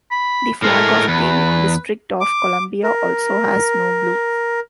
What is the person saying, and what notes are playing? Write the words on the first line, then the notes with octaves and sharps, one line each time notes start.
The flag of the District of Columbia also has no blue.
B5
A2 G#3 A3 A#4
E2 B4
D6
A#4